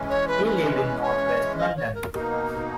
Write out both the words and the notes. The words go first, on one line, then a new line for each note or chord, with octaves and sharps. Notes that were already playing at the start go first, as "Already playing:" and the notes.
He lived in northwest London.
Already playing: E3 G#3 C#4
C#5
B4
B4
C#5
D#5
C#5
A#4
B2 A#3 D#4 A#4